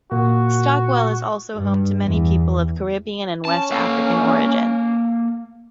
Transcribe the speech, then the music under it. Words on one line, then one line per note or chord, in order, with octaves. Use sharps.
Stockwell is also home to many people of Caribbean and West African origin.
A#2 F#4
G2
E2
C#4 A5
A#3 A4 F5